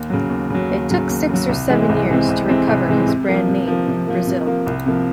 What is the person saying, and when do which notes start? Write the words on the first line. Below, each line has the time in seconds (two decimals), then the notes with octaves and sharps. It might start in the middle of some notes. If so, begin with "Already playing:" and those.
It took six or seven years to recover his brand name in Brazil.
Already playing: D#2
0.10 C#3 F#3
0.30 D#2
0.50 C#3 F#3
0.70 D#2
0.90 C#3 F#3
1.09 D#2
1.29 C#3 F#3
1.49 C2
1.70 C3 E3 G#3 C4
1.89 C2
2.09 C3 E3 G#3 C4
2.29 C2
2.49 C3 E3 G#3 C4
2.68 C2
2.88 C3 E3 G#3 C4
3.07 C3
3.28 F3 A#3
3.48 C3
3.67 F3 A#3
3.88 C3
4.07 F3 A#3
4.27 C3
4.47 F3 A#3
4.67 C2
4.86 C3 F3 A#3